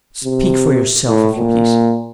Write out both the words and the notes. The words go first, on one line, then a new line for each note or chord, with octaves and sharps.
Speak for yourself, if you please.
C3
A2
A#2